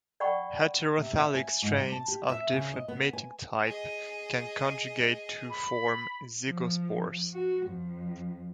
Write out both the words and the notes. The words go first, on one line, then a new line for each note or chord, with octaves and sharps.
Heterothallic strains of different mating type can conjugate to form zygospores.
D5 F#5 G5 B5 C#6
C3
E5
G#5
G#2
G3
A5
G4
E5
C#3
D#5
B3
G#5
G#4 D#5
B5
F3
F#4
F2